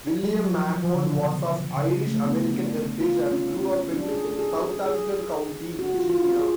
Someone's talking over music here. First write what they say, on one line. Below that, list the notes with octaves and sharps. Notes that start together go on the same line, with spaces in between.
William Mahone was of Irish-American heritage and grew up in Southampton County, Virginia.
F#3
F#3
F3
F#3
F3
D3
C#3
B2
C#3
A3
B3
D4
F4
C#4
C#4
D4
G#4
A4
G#4
G#4
F#4
F4
F4
F4
G#4